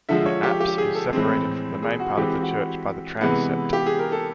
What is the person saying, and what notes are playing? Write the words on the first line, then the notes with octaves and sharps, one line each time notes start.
The apse is separated from the main part of the church by the transept.
D3 F3 G#3 E5
C#5
G4
G4
G#4
A4
A2 E3 G#3 C4
G#4
F#4
E3 G#3 C4 G4
F#4
C3 E3 G#3 B3
G4
G#4
A#4
A4